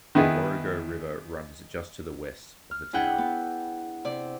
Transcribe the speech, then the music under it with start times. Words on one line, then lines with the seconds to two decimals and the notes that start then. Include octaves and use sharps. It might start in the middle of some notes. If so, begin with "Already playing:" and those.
The Warrego River runs just to the west of the town.
0.15 D#3 B3 E4 G#4
2.71 F6
2.93 D4 E4 G#4 F#5 G5
3.18 B3
4.05 C3 D5